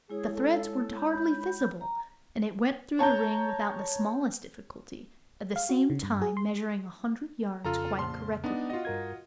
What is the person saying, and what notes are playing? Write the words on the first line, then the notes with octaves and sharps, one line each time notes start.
The threads were hardly visible, and it went through the ring without the smallest difficulty, at the same time measuring a hundred yards quite correctly.
G#3 E4 G#4 C#5
A4
B5 G6
A#5
C#5 A5 A#5 G6
F5
F#4
C#3
G2
G#4
C6
F2 C#3 F4 A4 A#5 F6
A#1 A5 C6
B3 D4 D#4
F4 F#4 D#5
G2 A#4 G#6